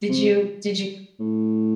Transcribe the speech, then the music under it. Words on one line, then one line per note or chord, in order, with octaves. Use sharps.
did you did you
C3
A2